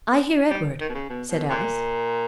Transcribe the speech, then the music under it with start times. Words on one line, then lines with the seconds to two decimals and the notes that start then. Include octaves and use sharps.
"I hear Edward," said Alice.
0.51 G3
0.81 D#3
0.89 B2
0.95 C#3
1.10 B2
1.30 B2
1.50 A#2